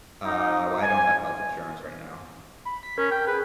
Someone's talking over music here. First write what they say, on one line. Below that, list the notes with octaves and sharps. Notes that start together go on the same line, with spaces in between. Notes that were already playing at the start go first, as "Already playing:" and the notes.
Uh, well, I don't have health insurance right now.
D#4
G#5
B5
B6
C#4 A#4
G5
G#4 B4